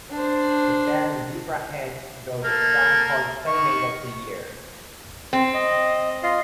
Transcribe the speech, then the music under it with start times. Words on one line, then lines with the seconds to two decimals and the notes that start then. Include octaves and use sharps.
The band Zebrahead wrote a song called Playmate of the Year.
0.10 D4 C5
2.43 A#3 A4 A#4
3.47 D#3 C#6
5.33 C4
5.54 D#5
6.23 F4 D#5 F5